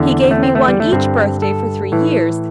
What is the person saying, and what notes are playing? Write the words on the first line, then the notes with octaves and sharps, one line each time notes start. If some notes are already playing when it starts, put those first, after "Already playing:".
He gave me one each birthday for three years.
Already playing: E2 D3 D4
A3
C4
A3
G3
A3
G2 D3 C4
A4
A2 E3